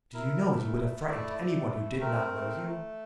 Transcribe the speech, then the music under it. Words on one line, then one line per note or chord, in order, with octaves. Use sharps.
Do you know, you would have frightened any one who did not know you?
E4 A#4
A3
E4
A3 D5
E4
A3
C4 A#4
A3
A3